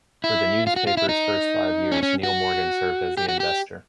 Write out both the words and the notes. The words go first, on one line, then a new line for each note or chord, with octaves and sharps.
For the newspaper's first five years, Niel Morgan served as the investor.
E4
F4
F#4
F4
E4
D#4
C#4
C#4
F#4
G4
F#4
G4